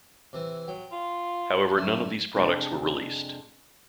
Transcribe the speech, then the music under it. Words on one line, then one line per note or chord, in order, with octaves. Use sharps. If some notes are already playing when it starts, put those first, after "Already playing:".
However, none of these products were released.
C3 E3
F#3 G5
F4
F#2 D3 A3
F2 C3 G#3 D4 A5